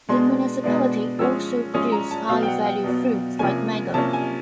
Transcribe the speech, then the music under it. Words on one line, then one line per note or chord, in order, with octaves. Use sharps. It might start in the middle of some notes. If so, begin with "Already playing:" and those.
The municipality also produces high value fruits like mango.
B2 G#3 B3 D4 C6
B2 G#3 B3 D4
F3 G#3 C#4 E6
F3 G#3 C#4 D#6
A#5
A5
B2 F#3 B3 F5
G5
F#5
G5
B2 F#3 B3
C3 F3 A#3 C#4 G#5
C3 F3 A#3 C#4 A5
G#5